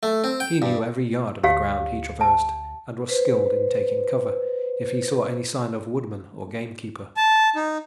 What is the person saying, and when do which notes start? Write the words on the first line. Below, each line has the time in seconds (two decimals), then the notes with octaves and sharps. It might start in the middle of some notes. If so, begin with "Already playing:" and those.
He knew every yard of the ground he traversed, and was skilled in taking cover if he saw any sign of woodman or gamekeeper.
0.03 A3
0.24 C4
0.40 G5
0.62 G2
1.43 D2 G4 C#5 F5
2.21 A5
3.09 B4 C5
7.17 A5
7.56 D#4